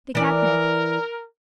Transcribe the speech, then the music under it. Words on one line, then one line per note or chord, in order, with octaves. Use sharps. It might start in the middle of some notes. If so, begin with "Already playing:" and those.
The Cat-nip.
E3 A#4 D5